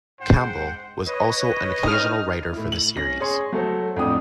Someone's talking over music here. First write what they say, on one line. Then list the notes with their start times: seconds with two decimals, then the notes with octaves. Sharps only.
Campbell was also an occasional writer for the series.
0.20 G#2 C5 F#5 G5
1.07 B4 C#5 D#5
1.83 D#4 D#6 F6
2.53 A2 E4
2.72 F#7
2.97 C#4 A#6
3.20 G#4 C#5 C6
3.52 F#3 A3 A4 C5
3.96 F2 A2 D4 F#5 G5 D#6